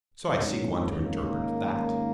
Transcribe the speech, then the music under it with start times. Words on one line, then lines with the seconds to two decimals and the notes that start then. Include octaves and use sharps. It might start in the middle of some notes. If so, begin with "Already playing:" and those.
So I seek one to interpret that.
0.23 G#2 D#3 F#3 G#3 C#4
0.70 A#3
0.84 B3
0.98 A#3
1.17 A#3